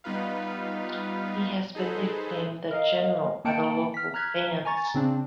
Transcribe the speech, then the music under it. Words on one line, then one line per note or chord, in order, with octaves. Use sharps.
He has been nicknamed "The General" by the local fans.
G3 B3 D#4 F4 B4 F5
D#4 G#4 A4 B4 C5
A#4 D#5 F5
A#3 G5 A5 C#7 D7
F6 B6
A#5 F6 F#6 G#6 B6
G#5 A#5 C#6 A6
C#3 C4 D4